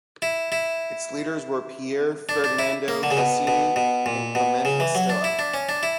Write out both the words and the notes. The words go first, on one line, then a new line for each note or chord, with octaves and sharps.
Its leaders were Pier Ferdinando Casini and Clemente Mastella.
E4
E4
D4
D4
E4
A#3
D3
C#3
B2
B2
B2
A#2
B2
C#3
E3
F#3
D4
E4
D4
C#4
D4
E4